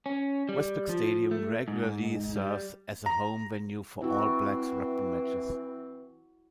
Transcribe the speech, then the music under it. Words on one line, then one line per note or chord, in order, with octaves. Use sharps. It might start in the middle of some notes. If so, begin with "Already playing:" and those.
Westpac Stadium regularly serves as a home venue for All Blacks rugby matches.
C#4
G3
F3
A3
G#2
G3
A#5
E3 C4 E4 F#4